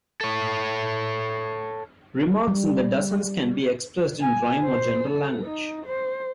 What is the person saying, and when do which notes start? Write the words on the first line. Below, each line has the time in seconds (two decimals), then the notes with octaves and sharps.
Remarks in the Dozens can be expressed in rhyme or general language.
0.21 A4 C#5
2.48 G3
4.21 G#5
4.64 C5
5.10 A4
5.45 D#4
5.86 C5